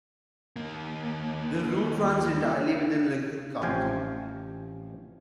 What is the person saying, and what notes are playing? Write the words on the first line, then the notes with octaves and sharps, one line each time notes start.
The route runs entirely within Lincoln County.
D#2 A#3
A1 C3 F3 F5 G5 G#5